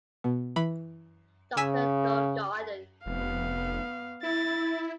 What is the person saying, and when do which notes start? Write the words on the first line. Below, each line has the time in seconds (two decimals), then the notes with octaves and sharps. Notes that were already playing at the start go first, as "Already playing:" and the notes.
Doctor Dov Yarden.
0.24 B2
0.56 E3 B5
1.57 C#3 G#5 E6 B6
3.06 F1 B3 F5
4.23 E4 A6